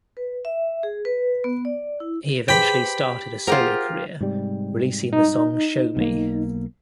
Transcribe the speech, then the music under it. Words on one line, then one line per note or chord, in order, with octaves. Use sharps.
He eventually started a solo career, releasing the song "Show Me".
B4
E5
G#4
B4
B3
D5
E4
G4 G#4 B4 C5 G5 B5
F4 G4 G#4 A#4 C5 F#5
G#2 C3 G3
D#4
B1 A#3